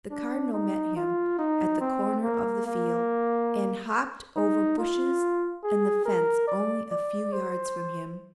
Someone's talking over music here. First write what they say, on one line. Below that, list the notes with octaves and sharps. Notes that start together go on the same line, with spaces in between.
The Cardinal met him at the corner of the field, and hopped over bushes and the fence only a few yards from him.
D4
D#4
F4
D#4
C4
A#3
A#3
D#4
F4
G#4
A#4
D5
D5
C5